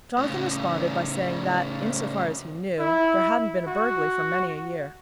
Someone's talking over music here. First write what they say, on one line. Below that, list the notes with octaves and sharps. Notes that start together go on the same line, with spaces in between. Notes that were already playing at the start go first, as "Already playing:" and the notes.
Jonathan responded by saying that, in so far as he knew, there hadn't been a burglary for many a year.
A2 C#3
E4
F#4